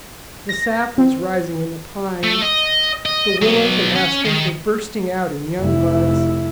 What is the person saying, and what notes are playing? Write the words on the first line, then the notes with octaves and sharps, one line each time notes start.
The sap was rising in the pines. The willows and aspens were bursting out in young buds.
A#6
C4
A3
D#5
D#5
F#3 B3
C#4
D#3
F1 E4